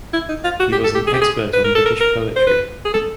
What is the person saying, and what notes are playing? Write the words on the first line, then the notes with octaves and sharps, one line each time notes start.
He was an expert on British poetry.
E4
D#4
F4
F#4
G4
A4
G4
G#4
G4
G#4
B4
A#4
A4
A#4
A#4
C5
B4
G#4
A4